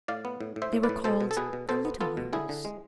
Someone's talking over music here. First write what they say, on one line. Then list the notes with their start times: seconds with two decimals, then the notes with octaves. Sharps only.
They were called "The Little Rooms."
0.08 A2 D5 F5
0.25 B3
0.40 A2
0.56 A2
0.62 C5 E5
0.73 A2
0.83 B4 D5
0.89 A2
1.04 B2 A4 C5
1.21 B2
1.31 A4
1.37 B2 G#4 B4
1.53 B2
1.69 B2 A4 C5
1.85 B3
2.01 B3 F4 A4
2.17 B2
2.33 D3 E4 G#4
2.49 D3
2.65 G#3